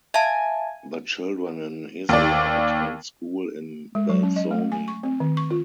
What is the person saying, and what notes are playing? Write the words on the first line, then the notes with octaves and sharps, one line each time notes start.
The children in Isola attend school in Belzoni.
E5 F5 G#5 A5
D#2 D5
G#3
F#3
C#4
D#5
A3
G#5
C#6
C4
D#3
C#6
F4